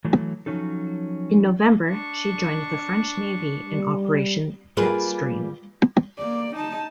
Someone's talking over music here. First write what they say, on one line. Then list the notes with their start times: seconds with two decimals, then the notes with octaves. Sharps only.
In November she joined the French navy in Operation "Jet Stream".
0.05 E3 F#3 A3
0.46 F3 F#3 C#4 D#4 A4
1.87 D4 C#6
3.66 G3
4.77 G3 A#3 F4 G#4 B4
6.18 A#3 D5
6.55 D#4 A5